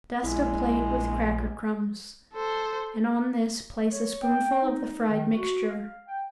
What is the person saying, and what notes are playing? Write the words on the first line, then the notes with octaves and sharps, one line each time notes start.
Dust a plate with cracker crumbs and on this place a spoonful of the fried mixture.
A#1 G#3 E4
A4 C5
C#5
G5
D#4
D#3
F#4
F5
G5